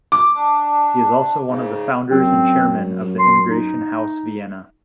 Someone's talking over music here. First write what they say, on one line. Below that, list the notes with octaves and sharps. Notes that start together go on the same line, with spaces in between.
He is also one of the founders and chairman of the Integration House Vienna.
D6
D4
G#2 C#3
F#2 C4
C6
D#4